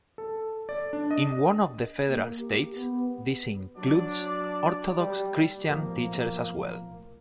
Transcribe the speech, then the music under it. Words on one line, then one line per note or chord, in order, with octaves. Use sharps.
In one of the federal states this includes Orthodox Christian teachers as well.
A4
D5
D4
D#5
A#3
G4
B3
F#3 D4 D5
G3
B1 A2 F3 A#3